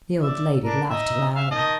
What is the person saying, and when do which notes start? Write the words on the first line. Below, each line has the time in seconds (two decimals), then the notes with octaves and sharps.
The old lady laughed aloud.
0.22 D5 E5
0.64 D4 A#4
0.90 D#4 D#5 E5
1.35 E5 F5
1.51 D#3 D#5 A5